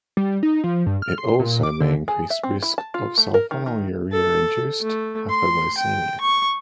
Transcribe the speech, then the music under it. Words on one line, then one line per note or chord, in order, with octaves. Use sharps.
It also may increase risk of sulfonylurea-induced hypoglycemia.
G3
D#4
F3
G2
F6
C6
A#2
D6
D3
G#4
E5
C4
E4
A5
F4
A3
A#4
D#3
D#3
A4
A3
C6
G5
C#6